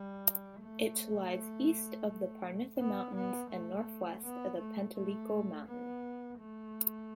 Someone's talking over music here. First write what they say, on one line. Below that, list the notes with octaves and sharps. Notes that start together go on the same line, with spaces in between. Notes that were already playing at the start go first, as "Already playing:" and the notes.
It lies east of the Parnitha mountains and northwest of the Penteliko Mountain.
Already playing: G3
A3
B3
B3
A3
B3
A3
A3
B3
A3